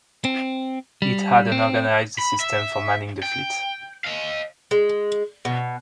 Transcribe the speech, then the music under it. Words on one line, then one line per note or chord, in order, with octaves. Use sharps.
It had an organized system for manning the fleet.
C4
G3
C4
B5
E5
G5
D#5 F5
G#3
B2